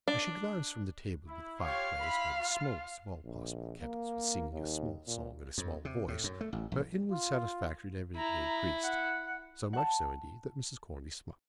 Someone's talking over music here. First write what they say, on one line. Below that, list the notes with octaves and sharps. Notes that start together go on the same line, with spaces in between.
As she glanced from the table to the fireplace, where the smallest of all possible kettles was singing a small song in a small voice, her inward satisfaction evidently increased,--so much so, indeed, that Mrs. Corney smiled.
D4
E4
F4 G4 C#5 F5
E4 F4 B5
F4
A#1
A#3
D#2
A#2
F2
C3
A2
F#2
A3
A1
A#1
F4
E4 A#5
F#5
F#5 A5